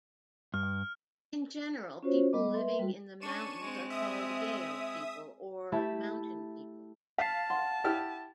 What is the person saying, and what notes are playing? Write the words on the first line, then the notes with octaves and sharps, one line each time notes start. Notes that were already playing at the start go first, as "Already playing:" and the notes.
In general people living in the mountains are called gayo people or mountain people.
G2 F6
C#4 F4 F#4 C5 C#5
G3 B3 D#5 D6
B4 E5 C6
G3 F#4
C#4 D4 C#6 D#7 E7
G#3 C4
E5 D#6
A3 E4 G4 E5 A5 B5
F5 A5 B6 C7
F#5 C6
E4 G4 F6